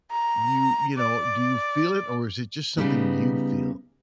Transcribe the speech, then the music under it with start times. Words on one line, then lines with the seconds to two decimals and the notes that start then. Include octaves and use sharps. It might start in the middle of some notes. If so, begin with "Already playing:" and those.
you you know, do you feel it, or is it just something you feel?
0.11 A#5
0.97 D5
2.77 C#3 G3 B3 D#4